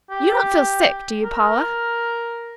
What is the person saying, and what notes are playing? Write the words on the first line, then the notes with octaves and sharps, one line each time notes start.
"You don't feel sick; do you, Paula?"
G4
A#4